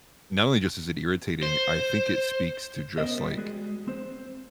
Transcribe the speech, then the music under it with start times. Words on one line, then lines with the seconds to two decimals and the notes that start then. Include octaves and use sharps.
not only just is it irritating, I think it speaks to just like
1.43 C5
2.98 B3 C#4 A#4 C5 D#5
3.18 G3
3.37 G#3 F#4 G#4
3.88 C4 C5